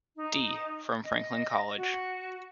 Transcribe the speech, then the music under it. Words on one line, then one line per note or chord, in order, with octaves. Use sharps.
D. from Franklin College.
D#4
D#5
F#4